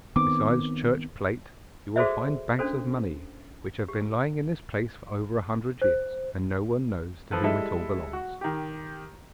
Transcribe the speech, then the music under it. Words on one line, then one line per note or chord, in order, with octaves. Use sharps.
Besides church plate, you will find bags of money, which have been lying in this place for over a hundred years, and no one knows to whom it all belongs.
D#3 B3 C4 D6
F#4 G#4 A4 C5 D5 E5
C#4 D4 F#4 A4 C5
G4
C5
F3 A4 B4
G3 G#3 E4 A4 D#5 E5
F#4
D#3 G4